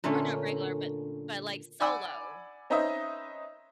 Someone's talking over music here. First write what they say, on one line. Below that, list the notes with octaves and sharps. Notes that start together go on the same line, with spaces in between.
Or not regular, but but, like, solo?
A#2 D3 A3 C#4
D5 F#5 G#5 B5 D6 E6
C#4 D#4 B4 C5 D#5 E5